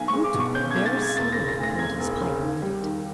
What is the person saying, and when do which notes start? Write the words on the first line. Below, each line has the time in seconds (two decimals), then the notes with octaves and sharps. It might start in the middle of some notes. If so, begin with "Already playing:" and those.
Rouletabille very slowly filled his pipe and lit it.
Already playing: B1 G#5
0.08 C#6
0.13 G#3
0.24 D6
0.34 B2
0.39 C#6
0.55 C#4 G6
0.71 B1 G#6
0.86 A6
0.96 G#3
1.02 G#6
1.17 E1 A6
1.32 A#6
1.38 C#3
1.48 A#6
1.58 D2 A#6
1.79 E1 G#6
2.00 E1
2.21 C#3
2.41 D#2
2.62 G3
2.83 D#3